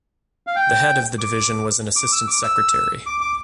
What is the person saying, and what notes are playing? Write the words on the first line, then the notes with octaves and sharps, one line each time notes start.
The head of the division was an Assistant Secretary.
F5
G5
D6
D6
E6
D6
E6
D6
D6